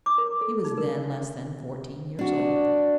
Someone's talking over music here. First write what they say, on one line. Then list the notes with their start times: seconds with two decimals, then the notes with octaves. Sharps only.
He was then less than fourteen years old.
0.06 D6
0.18 A#4
0.41 A4
0.65 D#4
0.78 A#4
2.19 D4 F#4